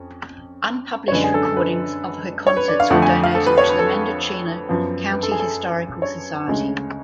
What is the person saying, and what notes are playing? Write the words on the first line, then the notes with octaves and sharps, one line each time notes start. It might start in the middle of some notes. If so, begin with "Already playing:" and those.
Unpublished recordings of her concerts were donated to the Mendocino County Historical Society.
Already playing: F2 C#4
C#5
F#2 D3 G#3 D4 B4
G#4
A4
A4
B4
C#5
B4
D5
F5
F2 D3 F3 A3 F#5
G#5
F5
A4
B4
C#5
B4
A4
F#2 F3 B3
B4
A4
G#4
A4
C#5
D2 C#3 G#3